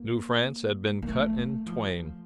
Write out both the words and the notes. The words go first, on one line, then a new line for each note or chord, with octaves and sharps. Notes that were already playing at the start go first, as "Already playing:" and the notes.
New France had been cut in twain.
Already playing: A#3
A#3
A3
F3